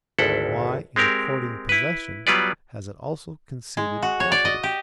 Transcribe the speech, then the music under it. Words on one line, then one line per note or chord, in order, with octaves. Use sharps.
Why, in according possession, has it also conceded property?
G#1 D2 E4 A4 F#5
G#3 C4 G4 A#4
E4 B4
F#3 G3 B3 F4 B4 D5
G#3
F#4
C#5
D5
D#5
G4